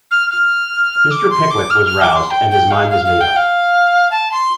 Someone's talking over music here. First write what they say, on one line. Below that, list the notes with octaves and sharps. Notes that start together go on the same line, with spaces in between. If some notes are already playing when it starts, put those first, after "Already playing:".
Mr. Pickwick was roused, and his mind was made up.
F6
F6
D6
C6
D6
F6
F6
D6
C6
G5
G5
F5
F5
F5
G5
F5
A5
C6